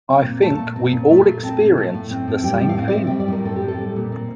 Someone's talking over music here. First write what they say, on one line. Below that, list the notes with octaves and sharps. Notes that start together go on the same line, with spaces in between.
I think we all experience the same thing.
C4
A#2
A3 A5
A#2
C4
A#2
A3
A#2
C4 A5
A#2
A3
A2
C4
A2
G3 G5
A2
F5
C4
D5
A2 E5
G5
G3
D5
A2 A#4
C4 A4
G4
A2
A4
G3
A#2
C4